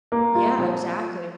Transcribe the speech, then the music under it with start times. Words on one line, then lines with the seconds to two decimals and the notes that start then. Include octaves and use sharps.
Yeah, exactly.
0.12 A#3
0.35 F4
0.59 F3